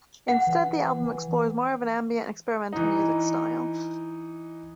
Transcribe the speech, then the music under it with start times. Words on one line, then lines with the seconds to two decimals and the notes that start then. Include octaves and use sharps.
Instead, the album explores more of an ambient and experimental music style.
0.28 F#5
0.47 E3
1.03 E3
2.73 E3 D#4